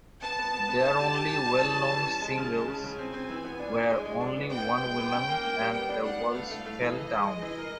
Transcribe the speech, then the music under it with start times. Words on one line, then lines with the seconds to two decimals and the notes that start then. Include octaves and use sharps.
Their only well-known singles were "Only One Woman" and "The Walls Fell Down".
0.22 B3 A5
0.39 B3
0.54 B3
0.69 B3
0.84 D#4
0.99 G4
1.15 G4
1.30 G4
1.46 G3
1.61 E3
1.76 G3
1.91 E3
2.06 C#4
2.21 G#3
2.38 C#3
2.53 G#3
2.67 C#3 G#5
2.84 C#3
2.99 C4
3.14 C4
3.29 E3
3.45 B3
3.60 D4
3.75 D4
3.90 G#3
4.05 G#3
4.21 D4
4.37 B3
4.51 B3 G5
4.68 B3
4.82 G#3
4.98 B3
5.14 C#4
5.28 A#3
5.44 A#3
5.59 G3
5.74 B3 G5
5.89 D4
6.05 D4 F#5
6.21 B3
6.35 A3 F5
6.51 A3
6.66 A3
6.81 E3
6.96 E3 D#5
7.12 G#3
7.28 G#3
7.42 E3
7.58 A#4